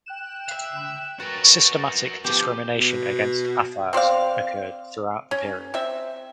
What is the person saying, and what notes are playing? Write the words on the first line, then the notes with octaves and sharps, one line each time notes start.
Systematic discrimination against Afars occurred throughout the period.
G5 F#6 E7
E5 F5
F#4 A#4 B4 C#6 A6
F3 B3 G4
B2
C4 C5 D5 F5
C#4
C4 E5